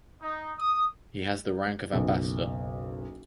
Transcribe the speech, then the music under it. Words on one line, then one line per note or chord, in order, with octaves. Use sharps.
He has the rank of ambassador.
D#4
D#6
F#1 B1